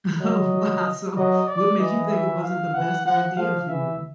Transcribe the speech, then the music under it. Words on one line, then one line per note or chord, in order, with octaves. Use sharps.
Oh, wow, so, what made you think it wasn't the best idea for you?
F#3 D#5
F#3 D#5
D5
E3 D#5
E5
F5
E3 F#5
F3 F#5
F3 F5
E3 E5